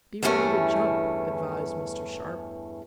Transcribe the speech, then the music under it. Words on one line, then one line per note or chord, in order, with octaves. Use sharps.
"Be ready to jump," advised Mr. Sharp.
E2 G2 E3 A3 C#4